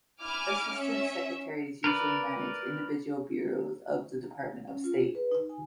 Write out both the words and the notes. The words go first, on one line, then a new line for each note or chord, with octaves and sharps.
Assistant Secretaries usually manage individual bureaus of the Department of State.
E4 G#5 D6 F6
C#4 E5
A#4 B4 D5
C#4
F4
G#4
B4
D#4
G#5